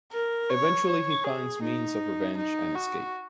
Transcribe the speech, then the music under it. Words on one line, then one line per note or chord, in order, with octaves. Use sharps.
Eventually he finds means of revenge and escape.
A#4
C#5
C#5
G#4
D#4
D#4
F#4